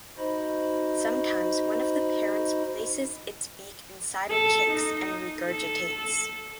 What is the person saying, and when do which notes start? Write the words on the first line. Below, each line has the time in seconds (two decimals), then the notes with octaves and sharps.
Sometimes, one of the parents places its beak inside a chick’s and regurgitates.
0.17 D#4 F#4 C5 D#5 B5
4.30 A4
4.71 D#4
5.48 A4